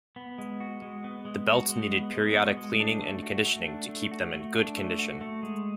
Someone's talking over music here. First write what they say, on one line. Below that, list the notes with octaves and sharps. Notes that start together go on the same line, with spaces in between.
The belts needed periodic cleaning and conditioning to keep them in good condition.
B3
G#3
F#4
G#3
B3
G#3
F#4
G#3
B3
G#3
F#4
G#3
D4
A3
F#4
A3
D4
A3
F#4
A3
D4
A3
F#4
A3
G#3